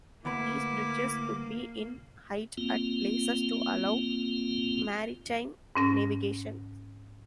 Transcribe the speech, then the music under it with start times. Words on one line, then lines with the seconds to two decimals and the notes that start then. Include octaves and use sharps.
These bridges would be in height at places to allow maritime navigation.
0.25 D2 A#3 B3 E4 B5 D6
2.58 A#3 C4 F4
5.75 G#2 C#4 A#6